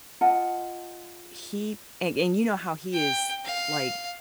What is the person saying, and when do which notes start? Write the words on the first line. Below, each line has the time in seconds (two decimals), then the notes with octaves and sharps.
he and and you know how he is, like,
0.21 F4 D#5 F#5 A5
2.92 G5
3.45 F5